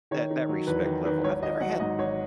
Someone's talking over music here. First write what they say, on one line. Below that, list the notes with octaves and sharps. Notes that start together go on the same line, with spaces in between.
That that respect level, I've never had
D#3 C#5
D#3
F#3
E2 B4
D#3
D#3 B4
G#1 C#5
G#1 D#5
F#3 F#5
G#2 D#5
G#1 C#5